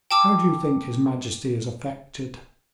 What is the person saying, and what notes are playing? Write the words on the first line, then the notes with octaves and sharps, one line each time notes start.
"How do you think his majesty is affected?"
G5 A5 D6 E6